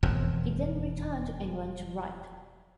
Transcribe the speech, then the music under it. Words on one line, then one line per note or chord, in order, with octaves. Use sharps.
He then returned to England to write.
E1 F2